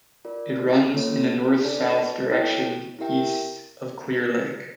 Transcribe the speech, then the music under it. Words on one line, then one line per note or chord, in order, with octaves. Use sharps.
It runs in a north-south direction east of Clear Lake.
F4 A#4 D5
A#3 C#4 F4 A4 C#5
D4 A4 D5 A5
E4 A4 C#5 G5
E4 G4 A#4 E5 G5